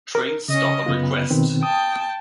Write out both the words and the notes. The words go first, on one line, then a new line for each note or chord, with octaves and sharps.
Trains stop on request.
A#4
C#3 C#4 D#5
F#2 C#3 B3 F4
B2 D#3 C4
G5 A5 D#6